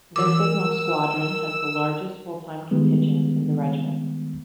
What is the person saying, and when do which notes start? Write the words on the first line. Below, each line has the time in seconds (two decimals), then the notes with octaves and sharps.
The signal squadron has the largest full-time contingent in the Regiment.
0.16 E3 A#4 D6 E6
2.71 D#3 G3 G#3 B3